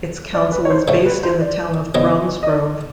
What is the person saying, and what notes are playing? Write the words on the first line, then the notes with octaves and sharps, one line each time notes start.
Its council is based in the town of Bromsgrove.
D5
B4
C#5
C5
D3 F3 A3 C#5
B4
C5
D5
F#2 D3 F#3 B3 D#5
D#5
D5